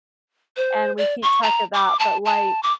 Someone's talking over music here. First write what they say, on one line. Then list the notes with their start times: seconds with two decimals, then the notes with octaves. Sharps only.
and we keep track of that, but, like,
0.57 C5
0.97 D5
1.22 C#6
1.43 A#5
1.74 D6
1.99 A5
2.25 A5
2.63 D6